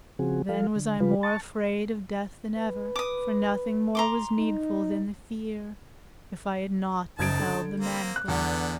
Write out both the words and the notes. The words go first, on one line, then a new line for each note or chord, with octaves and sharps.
Then was I more afraid of death than ever, For nothing more was needful than the fear, If I had not beheld the manacles.
C#3 F3 C4 F#4 G#4
F3 G3 A4 F5
D3
C#3 F3 G#3 F4 B4
A5 C#6 A6
B4
D6 D#6
A#5 C6 D6
D#4
F#1 D#4 A5 G#6 D7
D3
A#3 C4
F#6
E2 D3 B3